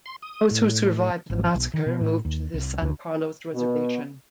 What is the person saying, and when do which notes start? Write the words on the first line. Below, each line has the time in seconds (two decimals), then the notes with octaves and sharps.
Those who survived the massacre moved to the San Carlos Reservation.
0.06 C6
0.22 D#6
0.51 A2
1.30 G#1
1.54 B1
1.74 D#3
1.86 B2
2.01 A2
2.25 D#2
2.54 C2
2.82 D2
3.54 B2